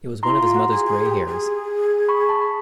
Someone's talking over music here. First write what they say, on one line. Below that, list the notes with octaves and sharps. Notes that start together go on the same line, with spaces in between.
It was one of his mother’s grey hairs.
E4 A#5 C6
F4
F#4
G#4
G#4
G4
G#4
B5 C#6
A5 B5
B5